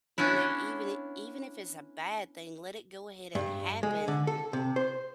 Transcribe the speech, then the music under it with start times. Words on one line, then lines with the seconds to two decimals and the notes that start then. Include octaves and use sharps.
you know, even i even if it's a bad thing, let it go ahead and happen
0.18 B3 C#4 D4 E4
3.35 G2
3.83 G#3
4.08 D3
4.27 A4
4.53 C3
4.76 C5